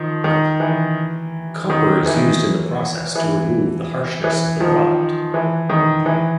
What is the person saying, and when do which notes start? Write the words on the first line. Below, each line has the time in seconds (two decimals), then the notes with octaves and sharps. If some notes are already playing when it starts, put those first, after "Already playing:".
Copper is used in the process to remove the harshness of the product.
Already playing: D#3 F3
0.24 D#3
0.60 E3
1.70 D#3
2.06 E3
3.15 E3
4.24 E3
4.60 D#3 F3
5.34 E3
5.70 D#3
6.06 E3